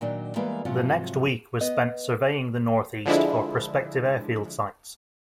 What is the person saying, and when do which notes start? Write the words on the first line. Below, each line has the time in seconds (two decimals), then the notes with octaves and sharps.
The next week was spent surveying the Northeast for prospective airfield sites.
0.01 A#2 D#3 F#3 D4
0.36 E3 G3 G#3 A#3 B3
0.65 G#2 C3 F3 F#3 F4
1.61 B3 D#5
3.06 D3 F3 G#3 D4 E4